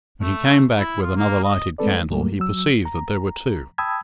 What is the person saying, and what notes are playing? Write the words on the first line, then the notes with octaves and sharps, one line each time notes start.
When he came back with another lighted candle, he perceived that there were two.
A3
E4
F4
A#3
D#5
G#3 A3 C4 A4 B4 D5
G#2 F#3 G3 A3 A#3
F#3 E6
A#5
G5 A5 B5 D#6 E6 G#6